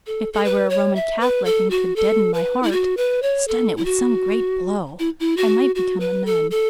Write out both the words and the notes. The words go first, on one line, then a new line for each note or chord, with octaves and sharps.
If I were a Roman Catholic and could deaden my heart, stun it with some great blow, I might become a nun.
A4
A4
B4
C#5
E5
B4
A4
F#4
A4
B4
E4
F#4
B4
C#5
A4
E4
F#4
E4
E4
F#4
F#4
B4
A4
A4